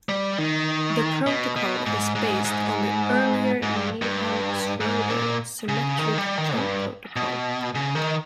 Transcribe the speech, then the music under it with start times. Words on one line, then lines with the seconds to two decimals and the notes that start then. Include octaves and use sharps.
The protocol is based on the earlier Needham-Schroeder symmetric key protocol.
0.09 G3
0.38 D#3
1.26 B2
1.56 B2
1.86 G#2
2.15 G#2
2.45 G#2
3.63 G#2
3.76 G2
4.02 G2
4.81 G#2
5.10 A#2
5.69 C#3
5.98 D#3
6.18 G3
6.38 D#3
6.58 G2
7.16 B2
7.75 C#3
7.95 D#3